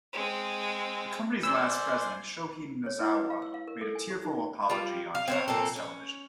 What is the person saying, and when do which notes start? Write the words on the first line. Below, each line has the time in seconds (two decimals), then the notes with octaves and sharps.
The company's last president, Shohei Nozawa made a tearful public apology on Japanese television.
0.13 G#3 C4
1.43 C5 D5 G#5 E6
2.86 C#5
3.00 E4
3.15 B4
3.30 F5
3.42 E6
3.54 F5
3.68 A#4
3.81 A4
3.95 G#5
4.10 G4
4.25 D#4
4.70 G3 F4
5.15 F5
5.28 C4 C5 C#5
5.48 A#2 C4 A4
5.76 C#4